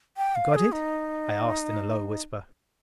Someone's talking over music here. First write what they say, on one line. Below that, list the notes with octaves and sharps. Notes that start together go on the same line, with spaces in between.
"You got it?" I asked in a low whisper.
G5
F5
G#4
D#4